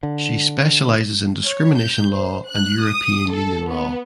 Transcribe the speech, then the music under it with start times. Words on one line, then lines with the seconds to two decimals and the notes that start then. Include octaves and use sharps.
She specialises in discrimination law and European Union law.
0.03 D3
1.47 C#5
1.78 G6
2.11 C5
2.48 F#6
2.84 D#6
3.31 A4
3.70 B3